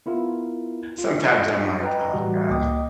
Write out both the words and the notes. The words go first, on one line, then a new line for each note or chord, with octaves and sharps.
sometimes I'm like, "Oh, God."
B3 E4 F4 A#4
F4
B4 D#5 G5 A#5
A2 E3 G3 F#4
C#2 A#3 D#5 G5 D6 D#6